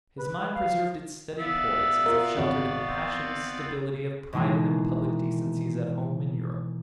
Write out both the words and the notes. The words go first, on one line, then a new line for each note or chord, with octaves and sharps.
His mind preserved its steady poise as if sheltered in the passionless stability of private and public decencies at home in Europe.
B4
F5
B3 D5 E5 F5
F4 A#4
G#1 F#4
C4
B2 D#3 E3 G#3 A#3